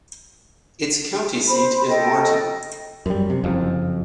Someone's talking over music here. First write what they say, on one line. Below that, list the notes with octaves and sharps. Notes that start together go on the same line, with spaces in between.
Its county seat is Martin.
C5 B5
A4 D#5 G5
F#2 G3
C3
F#1 F2